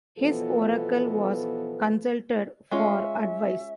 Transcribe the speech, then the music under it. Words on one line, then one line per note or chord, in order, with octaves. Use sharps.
His oracle was consulted for advice.
B2 E3 F3 B3 F4 A4
G#3 C#4 F4 E5